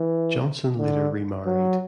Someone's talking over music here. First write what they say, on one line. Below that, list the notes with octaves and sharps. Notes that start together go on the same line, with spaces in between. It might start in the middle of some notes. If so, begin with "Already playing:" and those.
Johnson later remarried.
Already playing: E3
D3
F#3